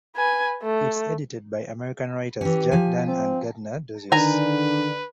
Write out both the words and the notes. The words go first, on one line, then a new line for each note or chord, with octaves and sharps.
It is edited by American writers Jack Dann and Gardner Dozois.
B4 G#5
A3
E3 C#4 G4
F3 G#5
C4
D3 D#3 D4 B4 G#5 A#5